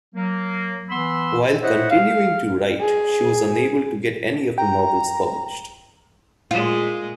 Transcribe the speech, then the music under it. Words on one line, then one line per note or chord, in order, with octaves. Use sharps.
While continuing to write, she was unable to get any of her novels published.
F#3 A#3
E3 B3 B5 C6 E6
E4 C5 C#5 D#5 E5 F#5
F5
G#4
G5 A#5
A#2 G#3 F4